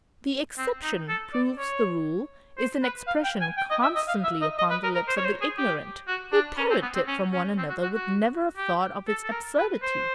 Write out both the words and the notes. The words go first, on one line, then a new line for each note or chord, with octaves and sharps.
"The exception proves the rule" is an expression constantly upon the lips of the ignorant, who parrot it from one another with never a thought of its absurdity.
C4
D#4
A4
D5
C#5
C5
B4
F5
G5
G#5
G5
D#5
E5
D#5
F5
E5
D#5
D#5
B4
A#4
A#4
C5
C#5
C5
G#4
G4
F#4
D4
C#4
C4
B3
C4
C#4
C#4
C4
F#4
F#4
F#4
G4
A4
A4
A#4
B4
C5